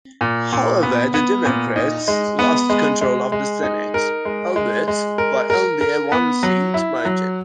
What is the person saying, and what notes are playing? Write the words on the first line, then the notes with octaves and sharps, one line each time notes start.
However, the Democrats lost control of the Senate, albeit by only a one-seat margin.
A#2
A#2
B3
B3
A#2
D#4
G#3
B3
G#3
G#3
G#3
D#4
A#4
G#3
G#3
G#3
A#4
A#4
A#4
B3
F#3
E4
F#3